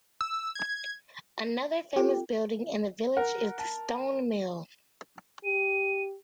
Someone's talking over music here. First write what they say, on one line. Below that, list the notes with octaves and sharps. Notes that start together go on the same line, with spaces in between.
Another famous building in the village is the 'Stone Mill'.
E6
G#6
C4 F4 G4 A4
A#4 F#5
A5
G4 D#7